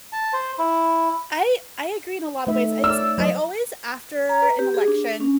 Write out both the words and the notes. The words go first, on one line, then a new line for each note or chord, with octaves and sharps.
I I agree in a lotta ways. It's I always after an election,
A5
C5
E4
A3 D#4 E5
C#5 D5 E6
F#3 C5 D#5
A#5
B4
G4
G#4
D4
C#4